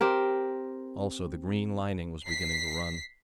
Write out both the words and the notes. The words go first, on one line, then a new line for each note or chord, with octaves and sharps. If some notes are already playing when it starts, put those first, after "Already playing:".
Also the green lining was beginning to run.
C4 G4 A#4
B6 C7